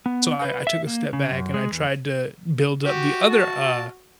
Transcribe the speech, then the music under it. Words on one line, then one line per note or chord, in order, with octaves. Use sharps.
So I I took a step back and I tried to build up the other, uh,
B3
B4
E5
A#3
C#3
F#2
G#3
E2
F#4 G4
A5